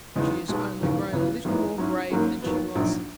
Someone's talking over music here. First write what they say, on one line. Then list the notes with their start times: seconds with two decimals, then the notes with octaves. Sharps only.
"She is only grown a little more grave than she was."
0.16 E2 C#3 G#3 B3 D#4
0.48 B1 B2 G#3
0.80 E1 D#2 C#3
1.13 C#2 C#3 E3 B3
1.45 G#1 F#2 E3 G#3 B3
1.78 G#2 F#3 C#4 E4
2.10 G#1 G#2 F#3 A#3 C#4
2.42 D#2 D#3 F#3 B3
2.75 A#1 G#2 F#3